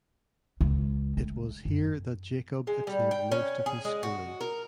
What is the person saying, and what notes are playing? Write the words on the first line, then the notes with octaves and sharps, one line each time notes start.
It was here that Jacob attained most of his schooling.
C#2
A3
F#2
G#3
G3
G5
C#4
G#4
G#3
F#4
A#4